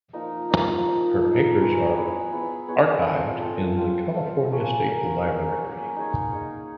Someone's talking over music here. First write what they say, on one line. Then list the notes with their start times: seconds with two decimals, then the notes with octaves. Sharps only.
Her papers are archived in the California State Library.
0.13 F3 A#3 D#4
0.50 F3 A#3 D#4
0.86 F3 A#3 D#4
1.22 F3 A#3 D#4
1.59 B3 E4 G#4 C#5
1.95 B3 E4 G#4 C#5
2.32 B3 E4 G#4 C#5
2.68 B3 E4 G#4 C#5
3.04 C4 F4 A4
3.41 C4 F4 A4
3.77 C4 F4 A4
4.14 C4 F4 A4
4.50 F#3 A#3 C#4
4.87 F#3 A#3 C#4
5.22 F#3 A#3 C#4
5.59 F#3 A#3 C#4
5.96 D#4 G#4 C#5
6.32 D#4 G#4 C#5